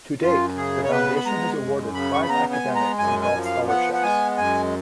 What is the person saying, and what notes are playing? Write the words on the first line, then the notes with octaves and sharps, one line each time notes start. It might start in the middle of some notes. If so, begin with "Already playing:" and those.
To date, the Foundation has awarded five academic and golf scholarships.
F#2 F4
C#3 G#4
C#5
B3 B4
B5
G#3 A#5
F#2
C#3 B5
C#6
B5
B3 A#5
G#5
G#3
A#5
F#2 G#5
G#5
F3
F5
B3 F#5
F#5
G#3 G#5
F#2 G#5